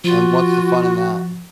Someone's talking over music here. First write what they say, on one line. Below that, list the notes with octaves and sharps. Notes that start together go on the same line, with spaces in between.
And what's the fun in that?
F3 F4 F#4 A6